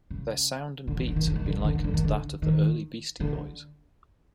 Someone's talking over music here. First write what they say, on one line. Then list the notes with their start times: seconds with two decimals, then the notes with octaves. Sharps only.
Their sound and beats have been likened to that of the early Beastie Boys.
0.11 C#3
0.87 D3
0.97 D#3
1.07 D3
1.16 D#3
1.27 D3
1.36 D#3
1.46 D3
1.56 D#3
1.65 D3
1.75 D#3
1.84 D3
1.94 D#3
2.04 D3
2.42 D#3
3.20 D3